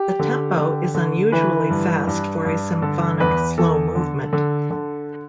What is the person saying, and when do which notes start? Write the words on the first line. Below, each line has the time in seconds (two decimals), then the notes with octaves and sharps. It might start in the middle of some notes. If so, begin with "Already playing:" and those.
The tempo is unusually fast for a symphonic slow movement.
Already playing: G4
0.19 D3
0.57 D3
0.95 D3
1.32 E3 B4
1.70 G2
2.07 G2
2.45 G2
2.82 D3 A4
3.20 E2 B4
3.58 E2 A4
3.95 D3
4.33 D3
4.71 D3